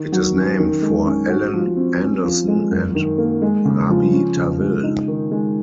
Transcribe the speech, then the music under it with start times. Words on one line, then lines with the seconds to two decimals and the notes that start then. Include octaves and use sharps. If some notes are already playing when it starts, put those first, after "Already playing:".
It is named for Ellen Andersen and Rabi Tawil.
Already playing: D#3
0.12 F#3
0.35 C#4
0.59 D#3
0.82 G#3
1.07 C#4
1.29 F#4
1.53 F3
1.76 C4
2.00 C#4
2.24 F3
2.48 G#3
2.71 F#2
2.95 D#3
3.18 A#3
3.42 G#3
3.65 C#3
3.89 F3
4.13 C#4
4.37 C#3
4.60 G#3
4.83 D#4
5.08 D#3
5.31 G#3